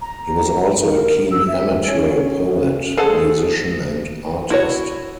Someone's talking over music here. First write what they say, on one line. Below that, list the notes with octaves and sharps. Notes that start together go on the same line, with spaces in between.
He was also a keen amateur poet, musician and artist.
A#5
A#4
E6
E5
C#4
G#4 A4 C5 F#5
E4 F#4 C#5